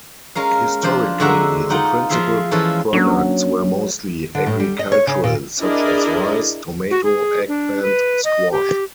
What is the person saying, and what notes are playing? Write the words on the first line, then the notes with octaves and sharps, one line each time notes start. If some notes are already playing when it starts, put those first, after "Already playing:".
Historically, the principal products were mostly agricultural such as rice, tomato, eggplant, squash.
G#3 C#4 A#4 F5
F3 D4 C5
D3 G#3 F#4 E5 A#5
D#4 F4 F#5 G5
F3 F4 G#4 E5 F5
E3 F3 G#3 C#4 A4
F#3 A#3 C#4 D4
D3
A2
G3
D#5
C#5
C#3
A#2
D4 E4 G#4 A#4 D5 D#5
F#4
G#4
D4
B4
D#5
G4